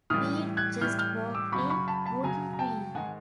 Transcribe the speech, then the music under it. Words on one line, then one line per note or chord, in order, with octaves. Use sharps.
We'd just walk in, wouldn't we?
A2 E3 G3 D#6 F6
F#6 G#6
A2 E3 G3 F6 G6
F6 G6
D6 E6
F#2 C#3 F#3 B5 C#6
B5 C#6
A5 B5
A5 B5
F#2 C#3 F#3 G#5 A#5
A#5
G5 A5
G#2 D#3 G#3 F#5 G#5